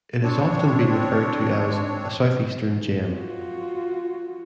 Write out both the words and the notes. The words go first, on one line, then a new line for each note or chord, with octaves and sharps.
It has often been referred to as "A Southeastern gem".
C4 D4 C#5
F4 F#4